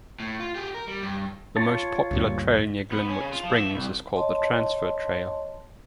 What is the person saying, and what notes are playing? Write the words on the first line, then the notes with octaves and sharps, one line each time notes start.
The most popular trail near Glenwood Springs is called the Transfer Trail.
A2
F4
G4 G#4
A#4
G3
G2
F4 C#5 A5
D2 G2 A#2
B3
C#4
C#3
F4
F3
E5
C2
C#5 D#5 A5 C6